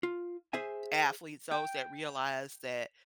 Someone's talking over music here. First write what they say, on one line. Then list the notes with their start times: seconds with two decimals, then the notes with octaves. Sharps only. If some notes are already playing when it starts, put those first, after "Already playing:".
athletes those that realize that
0.03 F4
0.53 G#4 C5 E5 G#5
1.51 G5